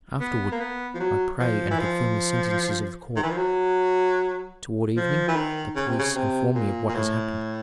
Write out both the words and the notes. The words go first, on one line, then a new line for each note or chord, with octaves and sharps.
Afterward I pray and confirm the sentences of the court; toward evening the police inform me of what has happened.
B3
A#3
B3
F3
F#3
F3
E3
F3
D#3
E3
F3
F#3
F3
E3
D#3
C#3
C3
C#3
C3
A#2
A#2
A2